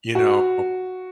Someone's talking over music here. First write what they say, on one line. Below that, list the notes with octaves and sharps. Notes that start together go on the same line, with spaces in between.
you know?
F#4